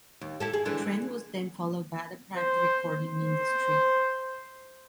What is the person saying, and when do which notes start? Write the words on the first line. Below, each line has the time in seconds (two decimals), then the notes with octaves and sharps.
The trend was then followed by other private recording industry.
0.21 D#2
0.40 E4 G4 A4
0.53 G#4
0.65 D3 E3 G#3
2.37 C5
3.07 C5